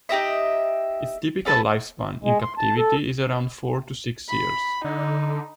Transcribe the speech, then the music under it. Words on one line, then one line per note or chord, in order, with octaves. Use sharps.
Its typical lifespan in captivity is around four to six years.
D#4 G4 D#5 E5
C#4 A4 B4 A5
G#3
C6
A5
A4
B5
D3 D#4